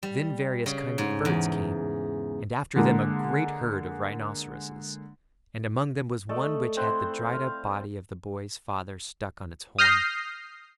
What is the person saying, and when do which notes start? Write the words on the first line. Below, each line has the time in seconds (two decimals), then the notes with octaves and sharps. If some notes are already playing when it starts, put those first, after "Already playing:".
Then various kinds of birds came and after them a great herd of rhinceroses and among them was one which had the dried up body of the boy's father stuck on its horn.
0.03 G3
0.66 C#3
0.98 G#2
1.25 E2
2.76 D3 G#3 A#3
6.29 A3 A4 D5 D#5
6.77 C4 E4 C5 F#5
7.32 F5
9.78 D#6 F6 G6 A#6 C7